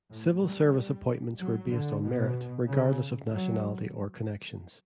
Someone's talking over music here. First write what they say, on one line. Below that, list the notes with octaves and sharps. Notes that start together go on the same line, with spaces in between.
Civil Service appointments were based on merit, regardless of nationality or connections.
A2
G3
F#3
D3
B2
C#3
F#3